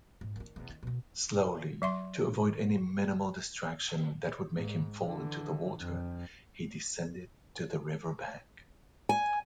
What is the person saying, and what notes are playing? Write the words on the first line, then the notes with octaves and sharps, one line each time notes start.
Slowly, to avoid any minimal distraction that would make him fall into the water, he descended to the riverbank.
G#2
D#3 D4
E2 C3
D#3
B2 D3
F#3 E5 C6
G#2
D3 E3
F2
G#5